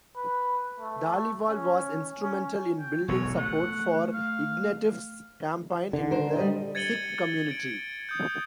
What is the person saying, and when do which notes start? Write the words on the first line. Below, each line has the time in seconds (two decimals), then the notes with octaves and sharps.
Dhaliwal was instrumental in building support for Ignatieff's campaign in the Sikh community.
0.16 B4
0.80 A3
1.48 C#4
2.23 C#4
2.79 G5
3.08 E1 B1 E2 C#5
3.37 A3 F#5
4.13 F5
5.93 D3
6.11 A#4 C5
6.36 G3 D#5
6.75 G#6 A6 C#7 D#7 F#7 G7
7.48 G#6 D7
8.09 D#6 G6